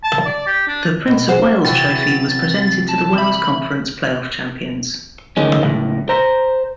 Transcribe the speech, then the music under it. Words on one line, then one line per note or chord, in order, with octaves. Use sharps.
The Prince of Wales Trophy was presented to the Wales Conference playoff champions.
A5
D5
G4
D4
B2
G#4 C5 F#5
C3 E3 F#3 A6
A5
E5 B5
D2 D#3 G#3 C#4
C#2 A2
C5 A#5